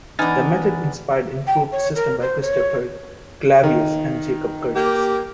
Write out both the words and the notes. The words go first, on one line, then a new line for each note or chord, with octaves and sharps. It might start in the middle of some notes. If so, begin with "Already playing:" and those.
The method inspired improved systems by Christopher Clavius and Jacob Curtius.
E3 B3 D4 D#4 B4 G#5 F6 A6
G5
C#5
A#4
C5
C#5
D#3
A#3 G4